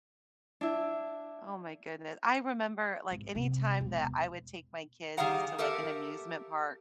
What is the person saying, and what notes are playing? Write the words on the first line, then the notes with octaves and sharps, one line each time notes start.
Oh my goodne I remember, like, anytime that I would take my kids to, like, an amusement park,
D4 E4
G#1
C3
E1
D#3 G3 G#4 F5 F#5 A#5
G4 A4 A#4 E5 F5